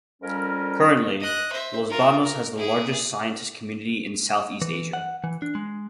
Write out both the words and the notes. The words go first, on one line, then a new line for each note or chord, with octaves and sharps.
Currently, Los Banos has the largest scientist community in South East Asia.
F2 G3 C#4 A#4
D#5 F#6
C5 E5
F4 A#4
A#4
E4 G#4
E3
F#5
E3
D4
G#3